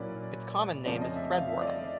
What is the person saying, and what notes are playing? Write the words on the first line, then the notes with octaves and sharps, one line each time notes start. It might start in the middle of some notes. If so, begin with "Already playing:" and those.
Its common name is threadworm.
Already playing: A#2 F#3 A#3 C#4 E4 B4 D5
F2 C#3 F3 A3 C#4 D5
D#5
E5
F5
E5
D5
D#5